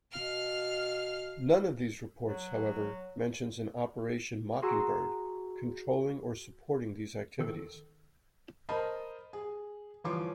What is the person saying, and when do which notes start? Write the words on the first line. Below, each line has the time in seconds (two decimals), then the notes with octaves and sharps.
None of these reports, however, mentions an Operation Mockingbird controlling or supporting these activities.
0.12 B2 F5 F6
2.28 F#3
4.62 F#4 G#4 A#5 C6 C#6 E6
7.39 D#3 A4
8.69 A#4 C5 D#5 A5 B5
9.33 G#4
10.04 G1 E3 F3 C#5 C6 D6